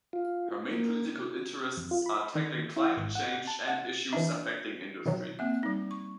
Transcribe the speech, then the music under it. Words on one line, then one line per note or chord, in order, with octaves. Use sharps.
Her main political interests are tackling climate change and issues affecting industry.
F4
A#3
F2
F4
B5
D#3
E4
G#1
F#5
A5
F#5
E3 D4 D#4 E5
B2 D#3 F#3
A#3 C4 E5
G3 D#4
C#6